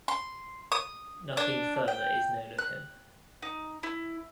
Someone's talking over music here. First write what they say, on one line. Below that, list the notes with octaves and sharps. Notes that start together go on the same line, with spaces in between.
Nothing further is known of him.
C6
D#6
D4
G5
F#6
D#4
E4